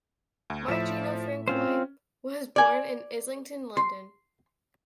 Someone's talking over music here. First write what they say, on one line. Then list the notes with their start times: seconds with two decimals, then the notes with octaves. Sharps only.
Mark Gino Francois was born in Islington, London.
0.50 D2
0.68 A2 F3 E5
1.48 C4 C#4 F4 C5
2.56 D5 G#5
3.77 C6